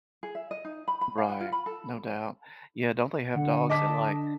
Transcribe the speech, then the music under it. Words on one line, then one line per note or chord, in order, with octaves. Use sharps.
Right. No doubt. Yeah don't they have dogs that, like,
G#4
E5
D#5
D#4
B5
B5
F5
F#5
F4
B5
A4
D3 F#5
D#5 A5 D6 B6